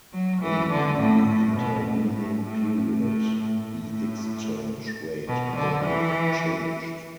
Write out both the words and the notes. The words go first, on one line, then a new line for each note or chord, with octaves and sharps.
In the intervening period the exchange rate may have changed.
F#3
E3
D3
A2
A2
B2
A2
A2
A2
A2
A2
A2
B2
D3
E3